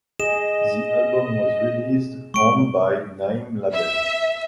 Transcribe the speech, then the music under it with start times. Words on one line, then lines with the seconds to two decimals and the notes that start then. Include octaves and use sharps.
The album was released on by Naim label.
0.20 G#4 D#5 E7
2.34 G#3 C#6 D7
3.74 E5